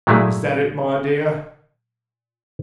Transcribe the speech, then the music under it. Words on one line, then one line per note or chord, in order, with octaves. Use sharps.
Is that it, my dear?'
A#2 F#3 G#3 A3 E4 G#4